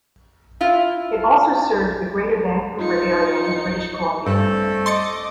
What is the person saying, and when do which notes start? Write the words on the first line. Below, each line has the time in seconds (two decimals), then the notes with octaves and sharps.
It also serves the Greater Vancouver area in British Columbia.
0.61 E4 F4 F5
2.79 D#4 F4 C#7
4.26 G2 G3 A3 C4 A4
4.86 D#5 C6 D6 A6 C#7